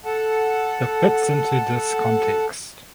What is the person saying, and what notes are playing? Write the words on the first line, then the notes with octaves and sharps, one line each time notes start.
The fits into this context.
A4 F#5 A5